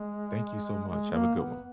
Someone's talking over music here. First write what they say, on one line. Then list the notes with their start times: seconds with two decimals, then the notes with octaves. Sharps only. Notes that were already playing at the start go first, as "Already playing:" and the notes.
Thank you so much. Have a good one.
Already playing: G#3
0.87 G#3
1.12 A#3
1.36 B3